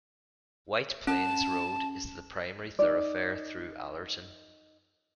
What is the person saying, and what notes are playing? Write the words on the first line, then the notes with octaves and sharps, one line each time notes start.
White Plains Road is the primary thoroughfare through Allerton.
C#4 A5
D#4 D5